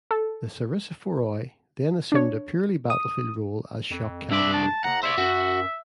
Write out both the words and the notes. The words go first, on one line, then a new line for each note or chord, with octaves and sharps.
The "sarissaphoroi" then assumed a purely battlefield role as shock cavalry.
A4
D4 C#5
D#6
F2
C2 D4 D5 E5
A5
F#1 F#5 A#5
C5 D5 E5
F#2 F#4